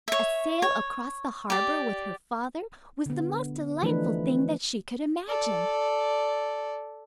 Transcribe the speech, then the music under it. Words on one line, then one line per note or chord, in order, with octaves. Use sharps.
A sail across the harbor with her father was the most delightful thing that she could imagine.
C#5 E5
C#5
G4 D5
D3 B3
E3 F3 A3 D4 D#4 B4
A4 D5